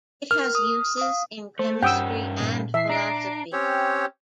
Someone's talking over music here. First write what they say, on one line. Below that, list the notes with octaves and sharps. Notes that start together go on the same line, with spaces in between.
It has uses in chemistry and philosophy.
A#4 F6
D#6
F5 D#6
A3 C5
G2 G3 C#4 F#5 G5 D#6 E6
A#2
E3 E5 C7
D4 A#5 C7 D7
C4 C#4 G4 C#5